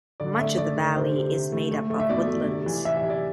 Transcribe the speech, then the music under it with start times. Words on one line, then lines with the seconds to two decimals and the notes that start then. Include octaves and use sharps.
Much of the valley is made up of woodlands.
0.20 D3 D5
0.39 A3 E5
0.57 A3 D5
0.76 D3
0.96 C3 C5
1.15 C3
1.33 C3
1.52 A3
1.72 A3
1.90 A3
2.00 E5
2.09 B2 D5
2.28 A3
2.47 C3
2.66 E3
2.85 C3 E5
2.97 E5
3.04 C3
3.10 D5